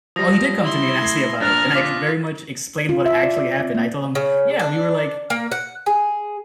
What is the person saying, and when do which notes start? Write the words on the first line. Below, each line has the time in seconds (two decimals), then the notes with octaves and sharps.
Oh, he did come to me and asked me about it, and I very much explained what actually happened. I told him, "Yeah, we were like
0.16 F3 G3 D#6 A#6
0.62 E4 C6
1.02 A3 G#6 C7
1.40 A#1 D4 A#4 F6 F#6 A6 A#6
1.74 F4 D6 B6
2.89 F4
3.06 E5
3.23 D5
3.37 D5
3.60 C4
3.75 A#3
4.15 C#3
4.59 D4
5.30 A#3
5.52 F#5
5.86 G#4